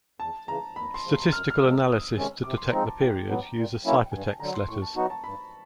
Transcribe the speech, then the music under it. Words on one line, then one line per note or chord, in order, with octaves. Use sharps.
Statistical analysis to detect the period uses ciphertext letters.
E2 A5
C#3 E3 A#5
D#2 B5
C6
C#3 F3
C6
F#2 F6
F6
D3 F3 G#3 E6
D2 D#6
C3 D#3 G#3 C#4
C3 D6
C6
F3 G#3 C4 D#4 A#5
A5
A2 G5
F#3 B3
A#2
F#3 A#3 C#4 E4
G5
G2 G#5
A5
D3 F#3 A#5
C6
A2 C#6
A5
F#3 B3 D#4 F#4
A#5
A5
G2 B5